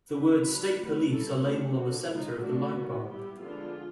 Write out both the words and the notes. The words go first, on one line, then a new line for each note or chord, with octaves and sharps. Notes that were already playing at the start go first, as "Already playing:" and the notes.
The words "State Police" are labelled on the center of the light bar.
D3 G3 C4 D#4 B4
F#3 A#3 D4
F#3 A3 C4
G3 A#3 C#4 E4 A4
F#3 A3 D4 G4
D3 F3 A#3 F#4
G#3 B3 D#4 F4
F3 A3 D4 F#4
D#3 G#3 B3
G3 B3 E4 G4
D3 F3 G#3 B3 D4 F4